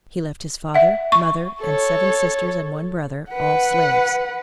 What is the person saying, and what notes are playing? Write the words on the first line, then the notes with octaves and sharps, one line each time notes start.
He left his father, mother and seven sisters and one brother, all slaves.
E5 F#5
C#6
A4 C#5
B4 F#5